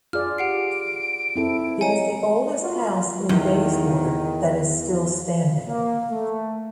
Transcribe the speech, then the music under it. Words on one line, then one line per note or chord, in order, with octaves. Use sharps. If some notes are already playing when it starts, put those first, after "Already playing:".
It is the oldest house in Bayswater that is still standing.
F4 G#4 D5 F6
G4 F#5 C7 D7
C4 E4 A4
C#5 D#5 G#5 A#5
F4 F#4
E2 D#3
A#3
A3